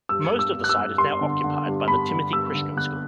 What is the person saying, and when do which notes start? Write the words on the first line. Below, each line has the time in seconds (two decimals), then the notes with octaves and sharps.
Most of the site is now occupied by the Timothy Christian School.
0.09 G2 E6
0.32 G2
0.39 E6
0.55 G2
0.64 F#6
0.69 E6
0.77 G2
0.98 G2 C6
1.21 D3
1.44 D3
1.66 G2
1.88 G2 B5
2.10 D3
2.32 G2 E6
2.55 D3
2.77 D3 F#6